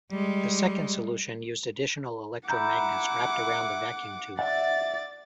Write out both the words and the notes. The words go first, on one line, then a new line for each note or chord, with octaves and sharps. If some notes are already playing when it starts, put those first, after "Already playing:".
The second solution used additional electromagnets wrapped around the vacuum tube.
G3 G#3
E4 F#5 A#5 D6 G6
D5 E5 F#5 A6